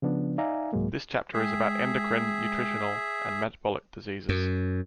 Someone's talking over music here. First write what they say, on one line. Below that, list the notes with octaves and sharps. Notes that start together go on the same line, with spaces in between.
This chapter is about Endocrine, nutritional and metabolic diseases.
C#3 F3 B3 D4
D#4 D5 E5 F5 G#5 A#5
C2 G#2 F#3 G#3 A#3
G#3 G#4 E5 G5
F#2